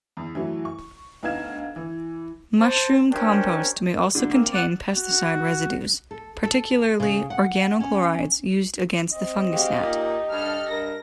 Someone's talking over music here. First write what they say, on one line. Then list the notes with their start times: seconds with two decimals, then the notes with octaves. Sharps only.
Mushroom compost may also contain pesticide residues, particularly organochlorides used against the fungus gnat.
0.17 E2
0.35 E3 F#3 A3
0.65 C#6
1.23 D2 B3 D#4 F5 G#6 E7
1.76 E3
2.59 C5 A5
3.12 C#4 D4 G4 A#4 C5
3.89 D#3
4.15 D3 A3 D#4 F#4
4.33 A#3 C4
4.53 D5 F#5
4.92 F#4
6.11 A4
6.44 A4
7.00 C#3
7.30 F#5
7.80 C#4
9.12 C4 D#5
9.52 G#3 F#4 G4 F5
9.81 A#2 D#4 G4
10.32 G2 A4 F6
10.70 G2 A#4 A#6